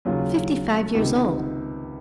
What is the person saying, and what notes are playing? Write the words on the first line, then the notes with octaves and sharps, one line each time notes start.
"Fifty-five years old."
D#2 C#3 F#3 C#4 F4
C#2 C3 D#3 A#3 D#4